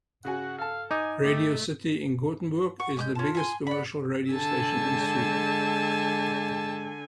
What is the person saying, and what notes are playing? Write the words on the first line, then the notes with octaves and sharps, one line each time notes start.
Radio City in Gothenburg is the biggest commercial radio station in Sweden.
C#3 F#4 F#5 G#5
A4 F5 A5
D#4 G#5 D6
A3 G4
F#5 C#6
G#3 C#4 D6 G6
C#4 F4 A5
E5 G#5 C6
D5 F#5 B5
D3 G#5 A5 E6
G#3